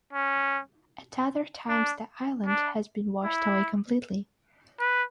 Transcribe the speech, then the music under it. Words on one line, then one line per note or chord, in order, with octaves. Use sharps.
At other times the island has been washed away completely.
C#4
D4
D4
E4
B4